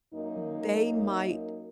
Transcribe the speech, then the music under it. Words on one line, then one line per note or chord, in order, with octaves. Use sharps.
they might
F#2 A#3 D#4